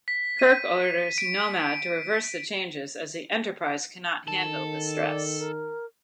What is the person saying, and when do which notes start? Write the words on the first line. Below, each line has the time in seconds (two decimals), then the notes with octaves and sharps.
Kirk orders Nomad to reverse the changes, as the "Enterprise" cannot handle the stress.
0.08 B6
0.39 D#7
1.18 D7
4.28 D#3 A4
4.95 D5
5.38 A#4